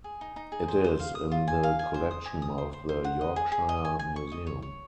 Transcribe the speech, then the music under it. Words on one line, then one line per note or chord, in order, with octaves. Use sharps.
It is in the collection of the Yorkshire Museum.
G#4
D#4
D#4
G#4
C5
C5
F5
D#6
F4
G#5
F5
G#5
C5
D#6
G#5
D#6
C5
C5
C5
F#5
D#5
G#4
G#4
D#5
G#5
G#5
C#6
D#5
C#5
C#5